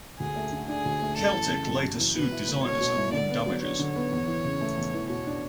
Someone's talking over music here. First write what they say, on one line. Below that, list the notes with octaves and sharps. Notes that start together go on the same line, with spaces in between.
Celtic later sued the designers and won damages.
D2 G#4
A3
D3
D4 G#4
D2
A3
F#2 A4
E3
C#3
F#2
F#2
E3
B2 B4
E4
A3
B2 C#5
B2
E4
D3 D5
B3
F#3
D4 C#5
D3
B3
E2
E3
C#3
A3
E2
E3
B2 C#5
D4